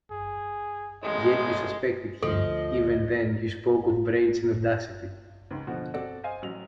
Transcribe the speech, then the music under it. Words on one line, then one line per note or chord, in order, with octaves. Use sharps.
Yet you suspected him — even then you spoke of brains and audacity.
G#4
A1 G#3 D#5
D2 F3 A4 D#5
F4
C#2 G#2
B2 D3 F3 F#4
C4 F#4 A4 D5
C5 D#5 F5 G#5
A1 F#3 F7